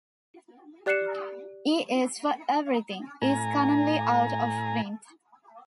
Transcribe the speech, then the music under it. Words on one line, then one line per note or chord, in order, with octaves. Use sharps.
"E is for Everything" is currently out of print.
G4 D5 F#6 C7 C#7 E7
A2 G#5 A#5